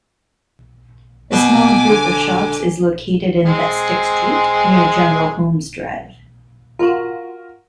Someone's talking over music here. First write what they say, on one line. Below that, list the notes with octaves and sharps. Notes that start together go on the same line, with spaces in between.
A small group of shops is located in Bestic Street near General Holmes Drive.
B2 G#5 D6
D3
G#3 C4 G#5
F4 F#4 A#4